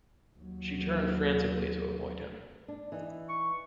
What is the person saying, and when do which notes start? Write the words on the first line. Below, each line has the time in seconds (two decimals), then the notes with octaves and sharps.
She turned frantically to avoid him.
0.36 D#2 F#3
2.68 D4
2.92 E3 D#4
3.29 C#6